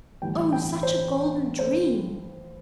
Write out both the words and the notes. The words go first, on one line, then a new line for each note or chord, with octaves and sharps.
Oh, such a golden dream!
A2 E3 G3 G5
G5
C5
C5